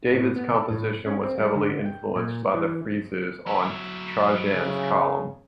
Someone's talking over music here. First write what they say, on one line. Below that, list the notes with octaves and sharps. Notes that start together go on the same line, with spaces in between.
David's composition was heavily influenced by the friezes on Trajan's column.
A2
B3
A4
A2
C#4
C4
G3
D3
G5
A#2
E3
F#3 E4
C#3